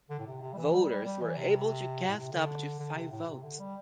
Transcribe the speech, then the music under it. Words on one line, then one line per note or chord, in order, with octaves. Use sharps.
Voters were able to cast up to five votes.
D3
A2
C3
C3
G3
E3
G3
G3
G3
E3
C3
A2
C3
D3
D3
C3
A2
C3
D3
G3